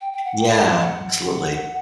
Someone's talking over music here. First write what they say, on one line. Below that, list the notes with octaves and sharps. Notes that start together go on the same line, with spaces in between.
Yeah. Absolutely.
G5
G5
F#5
G5
G5
F#5
D#5
F#5